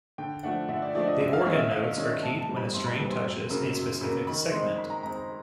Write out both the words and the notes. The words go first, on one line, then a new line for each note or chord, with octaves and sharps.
The organ notes are keyed when a string touches a specific segment.
D3 G5
F3 A3 D4 F#5
D3 E5
D5
F3 A3 D4 D5
D#5
G#2 E5
F5
D#3 G#3 C#4 E4 E5
E5
G#2 F5
D#3 G#3 C#4 E4
A2 A5
A5
E3 G3 C4
B5
A2 C6
B5
E3 G3 C4 B5
C6
F#2
C#3 F#3 A#3
F#2
C#3 F#3 A#3
D#3 B5
G#3 C4 D#4 C6
D#3 B5
A#5
G#3 C4 D#4 A#5